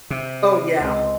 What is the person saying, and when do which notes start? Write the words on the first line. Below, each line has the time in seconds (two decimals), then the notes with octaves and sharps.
Oh yeah.
0.10 C3
0.80 C#2 G#3 C4